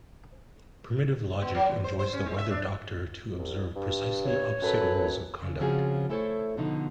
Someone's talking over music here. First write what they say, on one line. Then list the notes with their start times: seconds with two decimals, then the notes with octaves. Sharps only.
Primitive logic enjoins the weather-doctor to observe precisely opposite rules of conduct.
1.42 B3
1.55 F#3
1.69 E2
1.84 C5
1.99 C5
2.13 C#4
2.26 G#3
2.38 E5
2.50 D4
3.38 C2
3.76 G2
4.24 C#5
4.62 F#2 A4 B4
5.42 C#3
5.60 C#3 F3 C4 C#4 F#4 G#4
6.10 A3 E4 A4 C5 C#5
6.57 B2 D3 F3 D#4